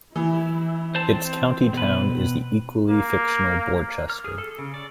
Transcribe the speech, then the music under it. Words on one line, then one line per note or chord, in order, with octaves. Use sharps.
Its county town is the equally fictional Borchester.
E3 E4
C4 C5 A5
B2 B4
A#3
F6
G#4
A4
C#3
D5